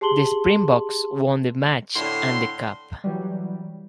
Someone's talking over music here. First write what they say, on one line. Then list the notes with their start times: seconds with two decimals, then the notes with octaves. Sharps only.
The Springboks won the match and the Cup.
0.01 G4 G#4 A5 C6 F#7 G7
1.96 A2 D3 C6
3.04 E3 F#3 G3